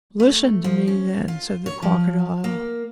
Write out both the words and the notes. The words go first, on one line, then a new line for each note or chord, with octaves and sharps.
"Listen to me, then," said the Crocodile.
A3
F3
C#4
F4
C#5
F3
A#3